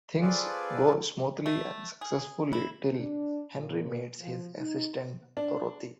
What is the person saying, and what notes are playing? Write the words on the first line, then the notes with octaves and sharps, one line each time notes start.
Things go smoothly and successfully till Henry meets his assistant Dorothy.
C4 F4 G#4 A4 B4 D5
A3
G#4
E4
D4
A#2
F3
D#4
D4